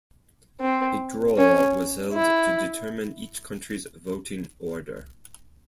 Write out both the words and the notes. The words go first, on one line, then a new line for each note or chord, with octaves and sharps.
A draw was held to determine each country's voting order.
C4
C#4
E4